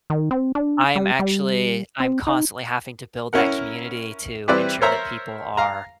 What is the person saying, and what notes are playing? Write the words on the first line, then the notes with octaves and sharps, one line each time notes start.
I'm actually I'm constantly having to build that community to ensure that people are
D#3
C4
D4
G3
G3
C4
D#4
C#4 E4 A#4 F#5
E3 G3 C4 E4 B4 D5
A#4 C5 C#5 E5 A#5
F5 A#5